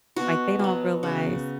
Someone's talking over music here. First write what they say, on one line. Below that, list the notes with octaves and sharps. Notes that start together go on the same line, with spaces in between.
Like, they don't realize
B2 F#4
F#3 B3
C#3 F#4